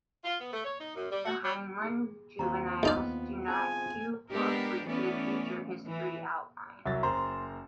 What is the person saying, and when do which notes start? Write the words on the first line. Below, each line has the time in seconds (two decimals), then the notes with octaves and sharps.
The Heinlein juveniles do not hew closely to the "Future History" outline.
0.24 F4
0.38 B3
0.52 A3
0.64 C#5
0.79 D#4
0.96 F#2
1.11 G3
1.24 F#4
1.43 F#3
1.82 G4 G#4
2.39 D#2 C4 F4 A#5 C#6
2.83 C#2 B3 D#4 D5
3.48 C4 F4 G#4 C5 G#5 A5
4.31 G#3 B3 D4 G4 A#4
4.85 E3 A3 B3 C#4 D5
5.85 E3
6.86 C2 F#3 E5 A6
7.03 F#1 C5 A#5 C6